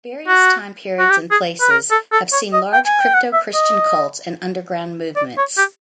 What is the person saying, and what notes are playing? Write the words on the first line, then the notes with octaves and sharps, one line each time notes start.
Various time periods and places have seen large crypto-Christian cults and underground movements.
F#4
F#4
G4
G#4
B4
A#4
A4
A4
C#5
D#5
G5
G#5
G5
F#5
E5
D#5
D5
C#5
G4